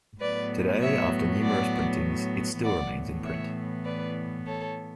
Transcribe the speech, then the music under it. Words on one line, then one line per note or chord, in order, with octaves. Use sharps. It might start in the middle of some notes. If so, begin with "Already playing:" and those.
Today after numerous printings it still remains in print.
A2 F#3 B3 B4 D5
C#5 E5
D5 F#5
A2 E3 B3 D5 F#5
C#5 E5
B4 D5
A4 C#5